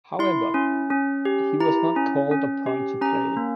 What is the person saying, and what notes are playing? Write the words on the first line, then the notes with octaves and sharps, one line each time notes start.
However, he was not called upon to play.
E4 C6
C#4
C#4
G4
E4 A#5
C#4
C#4
G4
C#4 A#5
A#3